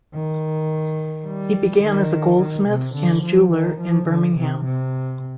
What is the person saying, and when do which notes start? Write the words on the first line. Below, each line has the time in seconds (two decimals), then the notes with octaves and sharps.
He began as a goldsmith and jeweller in Birmingham.
0.14 D#3
1.27 G3
1.84 D#3
2.40 D#3
2.68 C3
2.95 D3
3.24 F3
3.52 D#3
3.80 F3
4.08 D3
4.36 C3
4.65 C3